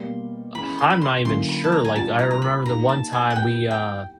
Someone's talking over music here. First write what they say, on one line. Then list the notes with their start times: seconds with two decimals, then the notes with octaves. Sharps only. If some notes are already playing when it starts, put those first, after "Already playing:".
H I'm not even sure, like, I remember the one time we, uh
Already playing: B2 G3 A#3 C6
0.55 E3 G#3 C#4 B5
0.79 C6
0.90 B5
1.01 C6
1.25 D3 F#3 A#3 C#4 E4 C6
1.48 B5
1.64 A5
1.72 A#5
1.85 G#5
1.95 A#2 G3 A#3 D4 F4 A5
2.19 A#5
2.31 A#5
2.42 B5
2.66 A#3 D#4 G4 A#5
2.89 A5
3.13 G#5
3.30 F#5
3.35 B3 E4 G4 G5
3.71 G5